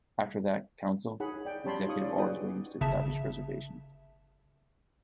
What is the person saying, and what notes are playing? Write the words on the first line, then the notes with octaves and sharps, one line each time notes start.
After that council, executive Orders were used to establish reservations.
D#4 G#4 C#5 F#5 B5
D5 G5
C#4 G4 C#5 A5 B5 C6
D#4 F4 C#5 F5 C#6 D#6
D5
D#4 F#4 G#4 B4 G5 D#6
G1 C#3 E5 A5